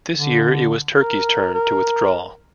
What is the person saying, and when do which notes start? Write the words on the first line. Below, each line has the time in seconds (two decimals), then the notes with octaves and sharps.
This year it was Turkey's turn to withdraw.
0.16 D3
0.96 A#4
1.54 A#4